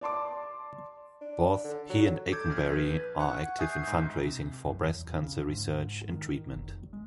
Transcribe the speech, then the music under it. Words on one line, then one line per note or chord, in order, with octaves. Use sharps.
Both he and Eikenberry are active in fund-raising for breast cancer research and treatment.
D5 A5 C6 D6
D4
D3
F#3
A4 D6 G6 G#6
A#1 F6 G#6
B4
F#5 C#6 F#6
E5 G#5 D#6 G6 C7
G#2
C3
F#2
E2
C#3
G#2
D#3
F1
G#3